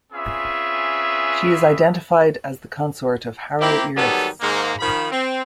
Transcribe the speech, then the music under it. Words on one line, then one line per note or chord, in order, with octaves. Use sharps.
She is identified as the consort of Haroeris.
C4 C#4 F4 G#4 B4 E5
A#3 C4 E4 G4
D#3 F#3 G3 B3 G#4 A4
G#2 D#3 A#3
D#3 F3 B5
C4